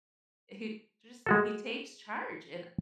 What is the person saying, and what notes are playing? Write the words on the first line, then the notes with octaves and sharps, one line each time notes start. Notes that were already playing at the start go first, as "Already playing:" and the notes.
he just he takes charge, and
G#3 F#4 A4